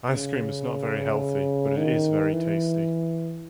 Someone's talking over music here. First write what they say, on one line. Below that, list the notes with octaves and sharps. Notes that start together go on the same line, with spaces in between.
Ice cream is not very healthy but it is very tasty.
C#3
D#3
E3